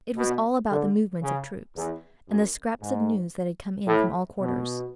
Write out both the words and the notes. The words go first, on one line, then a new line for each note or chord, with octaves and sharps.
It was all about the movements of troops, and the scraps of news that had come in from all quarters.
B2
D3
C#3
E2
F#2
G#2
A2
B2